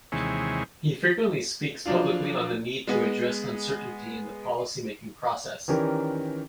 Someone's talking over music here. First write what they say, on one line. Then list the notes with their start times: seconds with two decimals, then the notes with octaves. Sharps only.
He frequently speaks publicly on the need to address uncertainty in the policy-making process.
0.12 D#2 C3 E3 G#3 C#5
1.86 F3 F#3 D4 F4
2.87 G#3 B3 G#4
5.68 D#3 E3 C#4 G4 A#4 D5